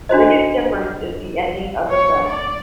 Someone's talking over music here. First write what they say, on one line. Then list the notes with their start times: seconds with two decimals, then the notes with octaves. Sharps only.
The biggest difference is the ending of the film.
0.09 D4 F#4 C5 D#5
1.89 C#5
2.25 D5